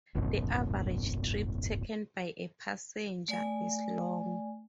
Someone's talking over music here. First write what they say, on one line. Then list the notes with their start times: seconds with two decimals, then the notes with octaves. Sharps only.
The average trip taken by a passenger is long.
0.15 D1 G#1 F#2 B2
3.28 A3 D5 G#5